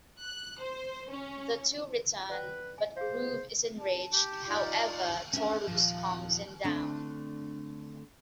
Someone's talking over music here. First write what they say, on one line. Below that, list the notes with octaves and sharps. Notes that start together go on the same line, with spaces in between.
The two return but Groove is enraged however Taurus calms him down.
F#6
C5
C#4
B4 D5 F#5 G5
G#5
G#4 C5 F5
A5
G4
D#4 F4 D5
C#4 D4 E5
D#2 A#2 F3
D3 A3 C4 D4